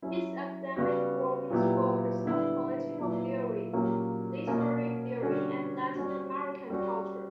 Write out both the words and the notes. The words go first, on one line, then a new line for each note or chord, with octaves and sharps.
His academic work is focused on political theory, literary theory and Latin-American culture.
F#3 C#4 E4
C#3 G3 B3 F#4
A#2 F#3 B3 E4 G4
D3 G3 B3 E4
A#2 F#3 B3 E4
A#2 F#3 A#3 C#4 G4
B2 A#3 C#4
D3 G3 C#4 F#4
G3 C#4 F#4
G3 C#4 F#4